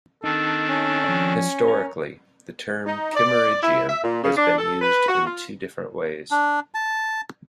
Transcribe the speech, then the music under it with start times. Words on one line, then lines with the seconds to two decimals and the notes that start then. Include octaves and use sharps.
Historically, the term Kimmeridgian has been used in two different ways.
0.24 D#3 C4 D4 D#4 A4
0.69 C#4
1.04 F3 D5
1.68 A#4 C#5
2.86 D#4
3.15 D5
3.62 E4
3.88 E5
4.03 A#2
4.23 C#3
4.37 D4
4.59 A4
4.81 B4
5.08 F#4
5.26 F4
6.31 D4
6.74 A5